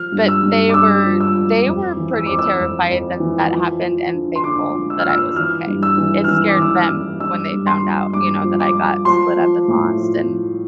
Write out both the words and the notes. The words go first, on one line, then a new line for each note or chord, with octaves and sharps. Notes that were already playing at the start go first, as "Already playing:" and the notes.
But they were they were pretty terrified that that happened and thankful that I was okay. It scared them when they found out, you know, that I got split up and lost, and,
Already playing: F3 F6
G2
E6
G2
D6
G2 E6
F3
E6
F3
F2
E3
E6
F2 D6
E6
F2
F2
E3
F3
F3
D3
C6
D3 D6
F3
E6
F6
F3 E6
E3 F6
G2
E6
E3
F6
E3 E6
D6
E3 E6
F6
E3
G2 E6
G2
C6
F3
G2 D6
F3
D6
F3
F3 C6
F3
A2
F3
F3